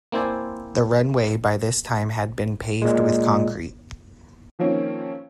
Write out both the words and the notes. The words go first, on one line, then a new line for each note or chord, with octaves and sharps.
The runway by this time had been paved with concrete.
A#3 C4 E4 C5 D5 G#5
A#2 G#3
D#3 F3 A#3 C4 C#4